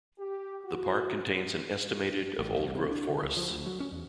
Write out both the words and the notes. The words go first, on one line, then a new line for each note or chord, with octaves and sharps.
The park contains an estimated of old-growth forests.
G4
F#4
A1
C2
C3
D4
D3
C#2
F3
D2
F#3
C#4
E2